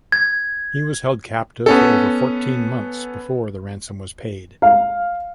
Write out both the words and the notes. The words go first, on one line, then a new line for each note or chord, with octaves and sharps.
He was held captive for over fourteen months before the ransom was paid.
G#6
B3 C#4 A4
F5